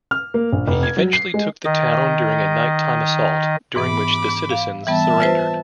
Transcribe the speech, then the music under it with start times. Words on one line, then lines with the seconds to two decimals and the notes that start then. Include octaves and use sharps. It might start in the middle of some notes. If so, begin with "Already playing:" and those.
He eventually took the town during a night-time assault, during which the citizens surrendered.
0.11 F6
0.34 A#3
0.53 A#1
0.68 F1
0.83 G#6
0.97 F#3
1.13 C7
1.34 G#3
1.65 D#3 D#5
3.76 G#2 E3 B3 B5 D6
4.50 F5
4.87 E3 G3 B3 E5 A5
5.20 F4 B4 C5